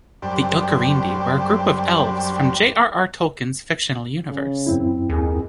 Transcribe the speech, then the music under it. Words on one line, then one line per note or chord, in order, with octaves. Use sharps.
The Ilkorindi were a group of Elves from J. R. R. Tolkien's fictional universe.
F#2 G3 D4 G4 C5
C#3
F#2 C4 E4
D#2 G#4